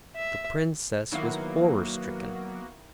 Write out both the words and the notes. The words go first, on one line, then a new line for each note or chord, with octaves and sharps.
The Princess was horror-stricken.
E5
D#3 F#3 A#3 B3 E4 F#4 C7